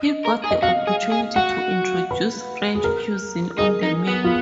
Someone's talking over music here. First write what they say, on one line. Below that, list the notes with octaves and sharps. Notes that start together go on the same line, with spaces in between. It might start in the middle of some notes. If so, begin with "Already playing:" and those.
He got the opportunity to introduce French cuisine on the menu.
Already playing: D#5
A#4
G#4
D#5
F#4 F5
G#4
G#4
F#4 F#5
B4
G#4
A#4
D#4 G#4
D#4
B3
F4